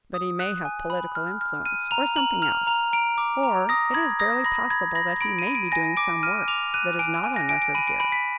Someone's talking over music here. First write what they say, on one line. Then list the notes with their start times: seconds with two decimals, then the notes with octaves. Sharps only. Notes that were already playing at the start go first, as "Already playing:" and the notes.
But he may have political influence, or something else, or, it is barely possible that he may be doing some work that is not on record here.
0.14 D#6
0.40 F#6
0.65 G#5
0.90 B5
1.15 F6
1.41 F6
1.66 F6 D#7
1.91 A#5 F7
2.16 A#5 F#7
2.42 F6 F7
2.67 A#5 F7
2.93 A#5 D7
3.18 D6
3.43 A#5
3.69 D#6 A#6
3.94 B5 G#6
4.19 D#6 A#6
4.44 B5 A#6
4.70 B5 G#6
4.95 B5 A#6
5.21 B5 D7
5.39 D#7
5.47 B5
5.55 D7
5.72 G#5 A#6
5.97 D6 D7
6.23 F6 D#7
6.48 D6 F7
6.74 F#6 D#7
6.99 G#5 D7
7.24 G#5
7.36 A#6
7.49 G#5 D7
7.62 D7
7.75 B5 D#7
7.87 D7
8.00 B5 D7
8.12 B6